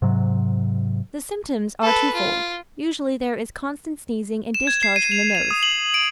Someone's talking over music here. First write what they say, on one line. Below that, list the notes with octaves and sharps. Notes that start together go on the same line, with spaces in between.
The symptoms are twofold, usually there is constant sneezing and discharge from the nose.
G#2 C3 F#3
A4 B4
F4
E7
G#6
C7
D#7
F7
F7
D#6
F#7
D7